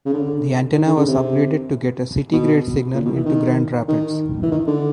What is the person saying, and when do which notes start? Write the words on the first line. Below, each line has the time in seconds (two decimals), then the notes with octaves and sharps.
The antenna was upgraded to get a city-grade signal into Grand Rapids.
0.05 C#3
0.13 D3
0.76 D#3
0.87 D3
0.97 C#3
1.07 C3
2.32 B2
2.95 A#2
3.05 B2
3.15 E3
3.26 D#3
3.88 D#3
4.43 E3
4.51 D#3
4.67 D3